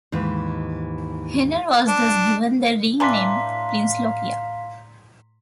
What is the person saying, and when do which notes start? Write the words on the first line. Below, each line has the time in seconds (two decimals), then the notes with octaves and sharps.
Hayner was thus given the ring name "Prince Iaukea".
0.12 D#2 G#2 E3
1.88 D4
3.00 A2 E3 D4 F5 A#5 C6 B6